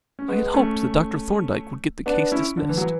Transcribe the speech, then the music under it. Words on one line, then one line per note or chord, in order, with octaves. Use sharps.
I had hoped that Dr. Thorndyke would get the case dismissed.
C#4
G#3 B3
A3 C#4
B3 D4
C#4 E4
D3
E3
F#3
E3